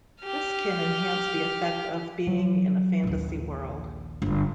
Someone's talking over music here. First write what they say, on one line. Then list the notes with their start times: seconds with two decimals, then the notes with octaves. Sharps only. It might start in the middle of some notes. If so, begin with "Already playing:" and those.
This can enhance the effect of being in a fantasy world.
0.24 G4 F6
2.27 F#3
3.03 A#1 D#2
4.22 G1 G2